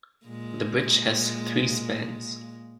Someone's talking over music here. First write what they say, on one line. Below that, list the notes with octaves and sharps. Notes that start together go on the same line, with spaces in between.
The bridge has three spans.
A#2 G#3